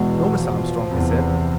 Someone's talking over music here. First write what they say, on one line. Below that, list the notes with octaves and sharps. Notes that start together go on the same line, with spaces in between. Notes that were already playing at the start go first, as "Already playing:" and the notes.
"No, Miss Armstrong," he said.
Already playing: E2 B2 G#3
F3
E2 C3